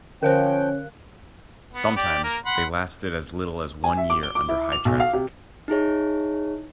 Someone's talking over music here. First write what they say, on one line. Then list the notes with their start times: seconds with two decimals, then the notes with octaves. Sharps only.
Sometimes they lasted as little as one year under high traffic.
0.23 D3 F3 C#4 A#4 C5 F5 G5 F#6
1.73 B3
1.97 G4 D5
2.24 A#3 A#4
2.46 F#5 B5 C6
3.84 G#5
3.97 E5
4.10 D6
4.23 G7
4.35 D6
4.48 E4
4.72 F7
4.85 B1
5.00 F5
5.13 C3
5.68 D#4 E4 G#4 C#5